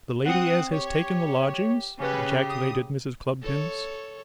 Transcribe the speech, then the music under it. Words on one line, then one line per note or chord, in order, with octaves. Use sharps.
The lady as has taken the lodgings!' ejaculated Mrs. Cluppins.
C4 F#5 D#6
G4 C#5
C#3 C#4 G4 B4
D#6
A4 C#5